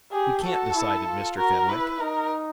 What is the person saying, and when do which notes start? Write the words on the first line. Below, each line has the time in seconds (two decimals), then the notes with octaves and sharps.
"We can't," decided Mr. Fenwick.
0.12 G4 G#4
0.43 F#4 A4
0.75 E4
1.07 F4
1.37 F#4 A#4
1.69 E4 B4
2.00 D#4 A#4